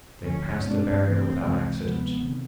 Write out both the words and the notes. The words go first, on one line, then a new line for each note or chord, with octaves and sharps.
They passed the barrier without accident.
D2 C#3 F3 C#4
B2 G#3 C4 D4
C3 E3 A3 C4 C#4
C2 C3 E3 G#3
D2 C3 F3 G#3 B3
C3 D#3